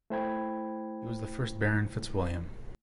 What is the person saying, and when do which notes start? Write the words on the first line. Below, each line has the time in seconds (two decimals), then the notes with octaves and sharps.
He was the first Baron FitzWilliam.
0.10 A3 E4 C5 G5 B5 G#6